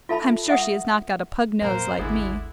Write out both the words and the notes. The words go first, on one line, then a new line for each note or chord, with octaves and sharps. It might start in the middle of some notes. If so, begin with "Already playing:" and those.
I'm sure she has not got a pug-nose like me.
F4 A4 E5 A5 B5
E5 F#5 D#6
F2 A#2 A#3 A#4 C5
G#1 D#2 D3 G#3 E4